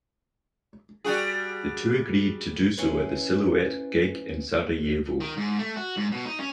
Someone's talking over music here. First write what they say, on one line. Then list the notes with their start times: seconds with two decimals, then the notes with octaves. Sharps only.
The two agreed to do so at the Siluete gig in Sarajevo.
1.04 G3 F#4 G#4
2.77 C#4 E4 B4 C5
5.20 D#3
5.37 G#2
5.59 A3
5.76 F#4
5.97 G#2
6.12 B2
6.25 D#4
6.40 C#4